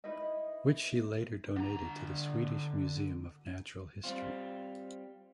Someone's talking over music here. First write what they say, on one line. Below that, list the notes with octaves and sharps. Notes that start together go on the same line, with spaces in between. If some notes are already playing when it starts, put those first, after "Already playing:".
Which she later donated to the Swedish Museum of Natural History.
D#4 E4 B4 D#5
D3 A#5
G3 C4 F4